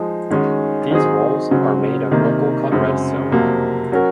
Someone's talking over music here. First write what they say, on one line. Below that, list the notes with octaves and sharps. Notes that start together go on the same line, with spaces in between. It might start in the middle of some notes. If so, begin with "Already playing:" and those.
These walls are made of local cut red stone.
Already playing: F3 G#3 D#4
D#3 G#3 C#4 F#4
D#3 F#3 C4 D#4 G#4
C#3 F#3 C4
C3 D#3 A#3
F#2 C#3 G#3 C4
F2 C3 F#3 A#3
F#3 C#4 F#4 A#4